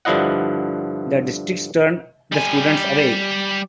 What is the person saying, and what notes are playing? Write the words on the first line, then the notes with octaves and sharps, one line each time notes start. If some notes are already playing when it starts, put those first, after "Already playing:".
The district turned the students away.
G2 D3 F3 E4 D#5 F#5
G3 G#5